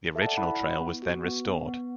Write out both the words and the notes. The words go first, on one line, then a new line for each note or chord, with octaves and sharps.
The original trail was then restored.
A4 E5
A5
D5 F#5
E4 F#5 B5
F#5 B5
E4
B3
F#4
B3
B3
B3